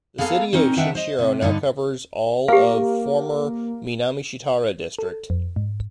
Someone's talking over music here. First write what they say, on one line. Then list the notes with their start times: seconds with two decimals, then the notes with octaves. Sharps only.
The city of Shinshiro now covers all of former Minamishitara District.
0.18 A#3 B3 G#4 A4 F5
0.53 C4 C#4 D#4 A#4
0.76 D#3 D4 B4 E5 F#5 G5
0.95 C5 D#5
1.19 C3
1.41 G2 D3 B3 D#4
2.48 A#3 G4 F5
4.99 A4
5.30 F2
5.56 G#2